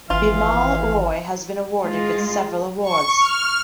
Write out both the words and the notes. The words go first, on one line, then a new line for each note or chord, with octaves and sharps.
Bimal Roy has been awarded with several awards.
G#1 E3 F4 F5
G#3 F4
C#6
F6